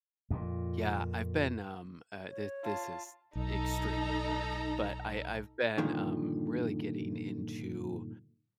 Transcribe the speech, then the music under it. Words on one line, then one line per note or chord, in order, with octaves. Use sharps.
Yeah, I've been, um, uh, thi this is extremely nerdy, but, I I've been, um, really getting into
F2 A#2
C#5
F4 A5
B1 D#4 A4 A#5
G2 A#2 D3 D#3 F3